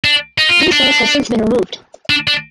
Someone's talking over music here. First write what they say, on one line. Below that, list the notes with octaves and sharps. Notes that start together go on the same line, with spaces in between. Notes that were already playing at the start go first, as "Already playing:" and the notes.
These tanks have since been removed.
D4
D#4
F4
D#4
D4
D4
D4